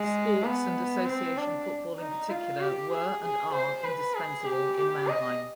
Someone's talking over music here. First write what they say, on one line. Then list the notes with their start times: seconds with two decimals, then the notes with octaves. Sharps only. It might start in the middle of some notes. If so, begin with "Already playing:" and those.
Sports and association football in particular were and are indispensable in Mannheim.
Already playing: G#3
0.44 B3
1.05 C4
1.37 D4
1.98 D#4
2.30 F4
2.60 G4
2.91 G#4
3.22 G#4
3.53 C5
3.84 B4
4.15 G#4
4.45 G4
4.76 G4
5.08 D#5